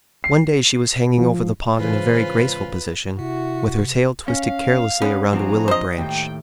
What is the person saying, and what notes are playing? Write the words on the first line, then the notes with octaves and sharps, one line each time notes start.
One day she was hanging over the pond in a very graceful position, with her tail twisted carelessly around a willow branch.
C7
F3
G#2 C#3 E3 F4 B4 C5
C3 E4 F#4
C#4 F5
B3 C#4 B4
F3 C4 D4 F#4 G#4 A#5
C5 D#5
D#2 A2 G5